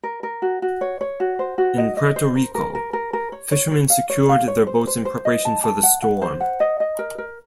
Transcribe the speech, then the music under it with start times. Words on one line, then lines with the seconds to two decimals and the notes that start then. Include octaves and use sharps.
In Puerto Rico, fishermen secured their boats in preparation for the storm.
0.03 A#4
0.23 A#4
0.42 F#4
0.62 F#4
0.81 C#5
1.01 C#5
1.20 F#4
1.39 C5
1.58 F#4
1.78 D#5
1.97 D#5
2.16 C5
2.36 A#4
2.55 A#4
2.75 A#4
2.93 A#4
3.13 A#4
3.32 C#5
3.51 C#5
3.71 C#5
3.90 F5
4.10 C#5
4.29 F5
4.48 C#5
4.67 C5
4.87 C5
5.05 C5
5.25 D#5
5.45 A5
5.64 A5
5.83 F#5
6.02 F#5
6.22 C5
6.40 F#5
6.60 D#5
6.80 D#5
6.99 A#4
7.18 A#4